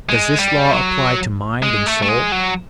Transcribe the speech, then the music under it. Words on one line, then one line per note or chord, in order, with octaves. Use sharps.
Does this law apply to mind and soul?
G#3
G3
F#3
G#3
A3
A3
G#3
F#3